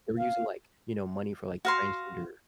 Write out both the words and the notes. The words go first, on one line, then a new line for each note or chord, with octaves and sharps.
they were using, like, you know, money for, like, transgender
F5
F#4 F5 C6